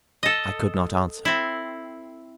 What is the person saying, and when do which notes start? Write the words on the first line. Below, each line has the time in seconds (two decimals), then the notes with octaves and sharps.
I could not answer.
0.23 A4 D#5
1.25 C4 E4